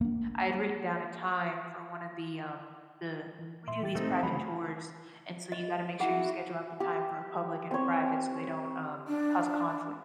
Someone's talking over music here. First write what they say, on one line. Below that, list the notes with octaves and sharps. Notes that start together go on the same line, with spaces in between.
I had written down a time for one of the, um the we do these private tours, and so you gotta make sure you schedule out the time for a public and a private so they don't, um, cause a conflict.
A#3 D4
E3
A#2 E5 C6
E3 G4 A6
A3 C4 D#4
C#3 E3 F#3 G#5 B5
D#5
E4 F#4 G#4 F#5
G4
C4 C#5
D4